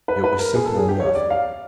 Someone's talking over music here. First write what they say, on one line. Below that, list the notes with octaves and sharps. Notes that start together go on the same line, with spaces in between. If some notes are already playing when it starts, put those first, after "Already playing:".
It was simple enough.
B4
B4
A#4
G#4
A4
G#4
G4
C#5
D5
F5